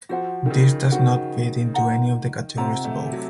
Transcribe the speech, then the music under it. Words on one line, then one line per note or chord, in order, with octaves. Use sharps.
This does not fit into any of the categories above.
F3 F#4 C5 F#5
D#3
C#3
D#3 F#4 C5 F#5
F4 C5 F#5 A#5
C3 F4 C5 F#5 A#5
A3
F#3